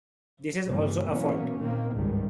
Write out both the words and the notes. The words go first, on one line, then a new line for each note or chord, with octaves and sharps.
This is also a "fault".
G2 C#3 E3 G3 A#3
B2 E3 F#3 A#3 B3 C#4
A#2 D#3 A#3 C4
G#1 C#2 G2 D#3 G3 G#3